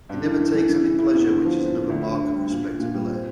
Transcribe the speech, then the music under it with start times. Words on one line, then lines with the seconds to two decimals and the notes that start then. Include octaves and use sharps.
He never takes any pleasure, which is another mark of respectability.
0.09 G2
0.24 E3
0.40 E3
0.54 E3
0.69 E3
0.84 E3
0.99 E4
1.15 E2
1.29 D3
1.45 F3
1.59 C4
1.74 D3
1.89 D2
2.05 D3
2.20 D2
2.35 G3
2.50 A#2
2.64 A#2
2.80 A#2
2.94 G3
3.10 C4